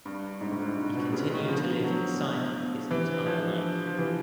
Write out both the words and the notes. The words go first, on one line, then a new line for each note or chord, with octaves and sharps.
He continued to live in Siam his entire life.
G2 D4
D4
G#2 D4
A2
G#2 F4
G#2 D4
B2 D4
C#3 A3
D#3 D4
F3 B3
B3
F#3 E4
B3
E4
B3
B3
G4
E3 D4
C5
F3 C5
D4
C5
G4
F3
E3 G4